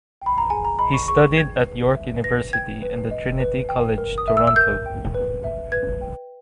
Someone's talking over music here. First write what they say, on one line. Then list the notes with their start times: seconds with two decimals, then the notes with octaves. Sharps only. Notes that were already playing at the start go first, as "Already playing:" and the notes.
He studied at York University and the Trinity College, Toronto.
0.22 G5 B5
0.38 A#5
0.50 G#4 G#5
0.65 A#5
0.79 D#5 B5
0.94 C#6
1.08 G#4 C#6
1.37 G5 G#6
1.67 B4
1.96 E5
2.24 B4 A#6
2.53 G5 G#6
2.82 B4
3.11 D#5
3.40 B4
3.69 G5
3.98 A#4
4.18 D#6
4.28 E5
4.37 E6
4.47 E6
4.56 A#4 G6
4.86 G5
5.14 B4
5.44 E5
5.72 B4 G#6
6.01 G5